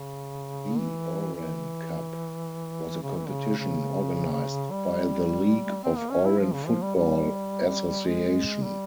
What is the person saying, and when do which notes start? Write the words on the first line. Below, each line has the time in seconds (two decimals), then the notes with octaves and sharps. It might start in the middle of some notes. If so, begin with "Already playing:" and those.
The Oran Cup was a competition organized by the League of Oran Football Association.
Already playing: C#3
0.78 E3
1.35 E3
3.03 C#3
3.16 E3
3.29 C#3
3.58 C#3
4.71 G3
5.83 C4
5.97 A#3
6.11 C#4
6.25 E4
6.39 F3
6.53 C#3
6.67 F3
6.82 G3
6.95 G3
8.07 G#3
8.64 G3